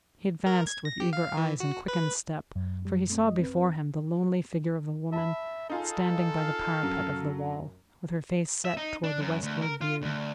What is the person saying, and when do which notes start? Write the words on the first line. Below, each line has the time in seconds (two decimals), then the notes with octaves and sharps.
He advanced with eager eyes and quickened step; for he saw before him the lonely figure of a woman, standing by the parapet of the wall, with her face set toward the westward view.
0.46 A#4
0.67 G#6
0.85 A#6
1.00 G4
1.13 F5
1.37 E3
1.60 F#4
1.88 B4
2.55 F#2
2.85 G3
3.08 A#2 A3 C4
3.25 G#3 D#5
3.40 C4 B4
5.12 E5 A5 B5
5.70 D#4 F4 G#4 A4
6.37 F5
6.83 F#2 F#3
8.65 E5
8.77 D#4
9.04 D4
9.21 F#2
9.43 D2
9.62 A#4
9.81 F4
10.02 D2